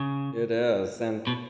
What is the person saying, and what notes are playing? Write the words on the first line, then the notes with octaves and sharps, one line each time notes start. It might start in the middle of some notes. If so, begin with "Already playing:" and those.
It is, and
Already playing: C#3
B2